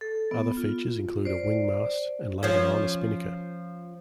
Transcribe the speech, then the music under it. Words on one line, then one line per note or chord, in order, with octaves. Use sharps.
Other features include a wing mast, and later on a spinnaker.
A4
B3
F4
C5 D5
F3 C#4